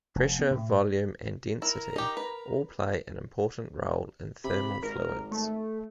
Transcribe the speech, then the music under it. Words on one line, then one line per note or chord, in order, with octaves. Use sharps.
Pressure, volume, and density all play an important role in thermal fluids.
F1
B3
A2
E4 A#4 A#5
D#4 G4
B4
C3 B5
G#1 A#4
A3